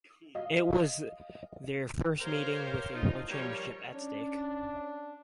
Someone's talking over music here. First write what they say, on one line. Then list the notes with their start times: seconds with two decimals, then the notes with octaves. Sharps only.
It was their first meeting with a world championship at stake.
0.35 D#5 F5
2.19 G4 A#4 C5 C#5 F5
2.93 F3 D#4 F4
3.28 F3 G3 A#4 C#5
3.94 C#4 D4